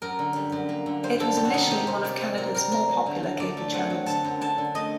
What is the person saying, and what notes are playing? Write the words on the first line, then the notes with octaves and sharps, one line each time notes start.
It was initially one of Canada's more popular cable channels.
F#2 A#4
D3
G3
F#2
A#3
D3
G3 C5
F#2 A4
C3 G4
F#4
D#3 D#4
C3 G4
C3 C5
C3 D5
C4
C4 A#4
G3 A#4
C4 A#4
F#3
D3
F#3
D3 D5
A3
C4 F#5
F#3
D3 A5
F#2
D3 A5
D3
A3 D#5